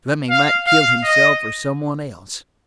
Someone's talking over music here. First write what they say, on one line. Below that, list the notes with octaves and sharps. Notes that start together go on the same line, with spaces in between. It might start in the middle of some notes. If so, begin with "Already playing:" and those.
Fleming might kill himself or some one else.
F5
F5
D#5